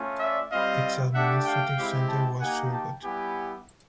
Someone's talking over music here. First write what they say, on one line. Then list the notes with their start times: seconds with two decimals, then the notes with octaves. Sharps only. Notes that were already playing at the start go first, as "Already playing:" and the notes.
Its administrative centre was Surgut.
Already playing: A3 C#4 F4
0.20 D5 E5
0.51 G3 C4 F4 D#5 F5
1.14 A3 D4 G4 E5 F#5
1.46 F5 G5
1.77 G#3 C4 E4 G4
2.09 G5 A5
2.40 A#3 D#4 G4 F#5 G#5
2.72 G5 A5
3.03 G3 B3 E4 G4 F#5 G#5